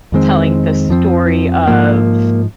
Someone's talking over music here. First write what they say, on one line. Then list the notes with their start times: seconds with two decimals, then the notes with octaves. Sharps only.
telling the story of
0.12 F2 D#3 G#3 C4
0.89 F2 F3 C4
1.67 G#2 F3 A#3